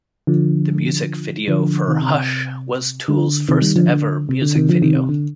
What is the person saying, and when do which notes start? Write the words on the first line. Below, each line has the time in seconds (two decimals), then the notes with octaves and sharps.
The music video for "Hush" was Tool's first ever music video.
0.27 D3 F3
1.48 D3 F3
1.87 C3 D#3
2.02 C3
2.08 D3
2.14 C3
3.08 D3
3.49 C3 D#3
3.62 D#3 G3
3.76 D3 F3
3.88 D3
4.29 C3
4.42 D3
4.55 C3 D#3
4.69 D3 F3
4.82 C3 D#3
4.95 C3
5.09 D3